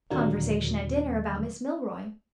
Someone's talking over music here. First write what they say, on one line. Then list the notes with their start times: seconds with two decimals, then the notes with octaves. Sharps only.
Conversation at dinner about Miss Milroy.
0.10 D#2 A#2 D3 F#3 G3 A#3